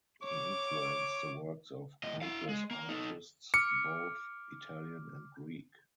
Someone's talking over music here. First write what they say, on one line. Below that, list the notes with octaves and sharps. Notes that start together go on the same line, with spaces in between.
He influenced the works of countless artists both Italian and Greek.
C#5 D6
A2 D#5
E4 F5
G#3
A#3
D#4 A4
D6 F6 C#7